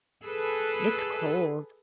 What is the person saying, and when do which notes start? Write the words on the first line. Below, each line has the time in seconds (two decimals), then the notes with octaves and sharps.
It's cold.
0.22 G#4 A4 B4